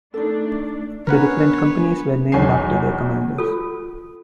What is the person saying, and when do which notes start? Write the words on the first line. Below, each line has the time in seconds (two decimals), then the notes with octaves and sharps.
The different companies were named after their commanders.
0.14 A3 D4 D#4 A4
1.07 B3 D4 G#4 A#4 B4 C#5 F#5
2.32 B1 E2 C#5 G#5 C7
3.38 F4 A4